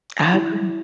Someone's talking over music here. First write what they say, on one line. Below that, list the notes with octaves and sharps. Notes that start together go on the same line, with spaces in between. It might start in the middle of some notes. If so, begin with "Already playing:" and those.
I agree.
E4